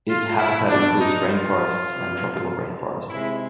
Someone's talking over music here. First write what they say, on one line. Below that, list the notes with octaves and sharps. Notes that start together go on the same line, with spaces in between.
Its habitat includes rainforests and tropical rainforests.
F4
E4
B2 F#3 A3 D4
D#4
F4
C3 E3 G3
C3 D#3 G#3 E4